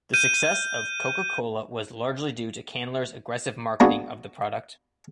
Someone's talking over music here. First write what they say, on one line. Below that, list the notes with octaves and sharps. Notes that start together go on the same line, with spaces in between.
The success of Coca-Cola was largely due to Candler's aggressive marketing of the product.
F6 G6 D#7
G#3 A#3 B3 D4 F#4 G#4